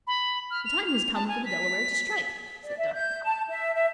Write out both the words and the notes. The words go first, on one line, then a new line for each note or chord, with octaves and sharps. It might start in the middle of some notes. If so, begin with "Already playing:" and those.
"The time has come for the Delaware to strike!" said Duncan.
B5
F6
F7
F7
A5
G#5
B6
D5
E5
G6
A5
E5
E5